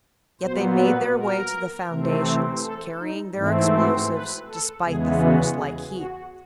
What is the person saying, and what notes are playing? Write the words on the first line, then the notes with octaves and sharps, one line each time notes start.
Yet they made their way to the foundations, carrying their explosives, despite the furnace-like heat.
A#2 F#3 B3 C5
B4
A#4
C3 E3 A3 C4
A4
D#4
G#2 E3 A3 C4 E4
F#4
B4
A4
E2 C#3 E3 G#3 B3 G#4
F#4
G#4
F#4